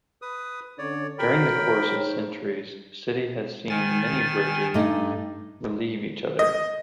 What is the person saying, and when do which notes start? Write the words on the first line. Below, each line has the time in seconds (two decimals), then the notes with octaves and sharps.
During the course of centuries, the city has seen many bridges relieve each other.
0.22 B4 D#6
0.78 D3 C#4 C#5 D5
1.19 E2 F#4 A4 A#4 G5 B5
1.58 G#2 C#5
3.69 D#3 G#5 A6
4.74 G2 A3 D#4
6.39 D#5